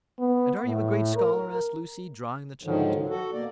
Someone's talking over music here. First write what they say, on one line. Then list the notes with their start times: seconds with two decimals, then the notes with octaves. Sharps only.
"And are you a great scholar?" asked Lucy, drawing the child to her.
0.19 B3
0.66 A2
1.16 A#4
2.63 G#2 D3 D#3 F3 F#3
3.09 F#4 A4
3.33 B2 A#3 D5